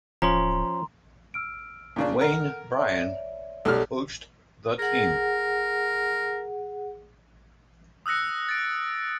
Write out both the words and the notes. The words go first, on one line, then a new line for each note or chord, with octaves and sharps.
Wayne Bryan coached the team.
D1 F3 C#4 A#5 C6
E6 F6 D7
A#2 C#3 D4
A4 A#4 F#5 F6
C#5 D5 E5
B1 G3 A4 F6
G#4 A#4 F#5
D#6 E6 F#6 A#6 C#7
A6 D7